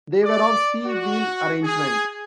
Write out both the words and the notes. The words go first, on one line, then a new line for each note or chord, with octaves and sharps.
They were of C wheel arrangement.
D5
F#4
G#4